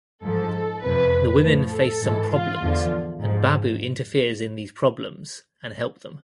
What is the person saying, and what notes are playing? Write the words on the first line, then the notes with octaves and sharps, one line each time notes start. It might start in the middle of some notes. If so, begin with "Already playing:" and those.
The women face some problems and Babu interferes in these problems and help them.
G#2 F3 A4
F2 C3 F3 B4
A2 F3
A4
G#2 E3
F4
E2 D3 F3
G#2 F3